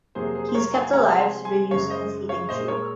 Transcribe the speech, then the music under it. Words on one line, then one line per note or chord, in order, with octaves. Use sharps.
He is kept alive through the use of a feeding tube.
F2 C3 F#3 A#3 G#4 C5
G#4 C5
C5
A#4 C#5
F5 G#5
C3 F3 G#3 F#5 A#5
G#5 C6
G#5 C6
F#2 C#3 G#3 C#5 F5
C5 D#5
C#5 F5
A#2 G#3 C5 D#5
A#4 C#5